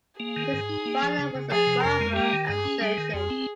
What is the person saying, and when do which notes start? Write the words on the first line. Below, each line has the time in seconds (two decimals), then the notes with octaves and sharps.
His father was a barber and surgeon.
0.20 A#3 G#4
0.36 D#3
0.53 G#2
0.69 D#4
0.86 A#3
1.02 F3
1.19 C#3
1.35 C#3
1.51 F3 G#4
1.67 C3
1.83 F2 A#4
2.00 G#3
2.16 A#3 G4
2.33 D#3
2.49 G2 G#4
2.65 C#4
2.81 G3 G#4
2.98 D#3
3.14 F2 G#4
3.30 C4